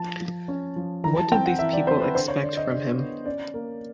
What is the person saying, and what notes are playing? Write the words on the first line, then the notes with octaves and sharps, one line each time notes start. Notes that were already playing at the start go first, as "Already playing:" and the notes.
What did these people expect from him.
Already playing: F3 A5
F3
C#4
F3
E3 A#5
A5
C4 G5
F#5
E3 E5
D5
C4 C5
B4
D3 C5
C#5
D3 D5
D#5
D3 D5
B3
C#4 D5
A#3